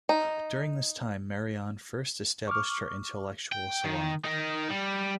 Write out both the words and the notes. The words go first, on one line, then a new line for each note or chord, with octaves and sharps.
During this time, Marianne first established her intellectual salon.
D#4
C#6 D6 F6
G5
D#3
D#4 A#4
G3